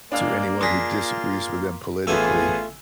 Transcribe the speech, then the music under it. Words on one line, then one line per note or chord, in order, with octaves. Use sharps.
to anyone who disagrees with them politically,
G#3 A#3 D4 F5 F6
D4 F4 G#4 C6 A#6 B6
A1 A3 B3 F4 G#4 G#5 E6